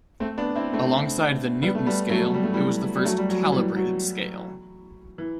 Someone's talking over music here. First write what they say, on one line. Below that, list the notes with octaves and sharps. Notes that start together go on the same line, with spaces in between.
Alongside the Newton scale, it was the first "calibrated" scale.
A3 C4
B3 D4
C4 E4
A3 C4
G3 B3
A3
G3 B3
F#3 A3
G3
A3
E3 G3
G3
F#3 A3
G3
F#3
F#3
E3 G3
F#3
E3